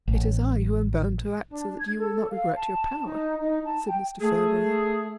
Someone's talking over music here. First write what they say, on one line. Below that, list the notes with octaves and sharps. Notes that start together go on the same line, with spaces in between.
"It is I who am bound to act so that you will not regret your power," said Mr. Farebrother.
A1
D4
G#6
A4
F5
A5
D#4
D#4
A5
G5
A3 G#4